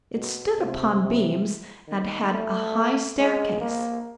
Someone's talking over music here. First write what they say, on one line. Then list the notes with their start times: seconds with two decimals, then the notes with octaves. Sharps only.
It stood upon beams, and had a high staircase.
0.14 B2
0.58 C3
1.01 C3
1.88 D#3
2.31 A3
3.18 G#3
3.61 A#3